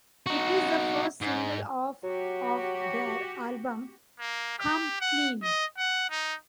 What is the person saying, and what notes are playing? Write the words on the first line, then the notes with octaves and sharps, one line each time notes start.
It is the first single off of their album "Come Clean".
D#4 F#4
G#2
F#3 F#4 G4
A#3
G4
F#5
D#5
F#5
D#4